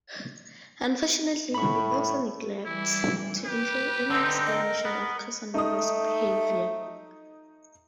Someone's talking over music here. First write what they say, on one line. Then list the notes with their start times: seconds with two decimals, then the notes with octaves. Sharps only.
Unfortunately, he also neglects to include any explanation of Casanova's behavior.
1.54 A2 B5 C#6
2.66 E3 G3 E4
3.46 G4 B4
4.10 D3 C4 D#4 E6
4.46 A#4 D#5
4.85 B3
5.54 A3 D#4 D#6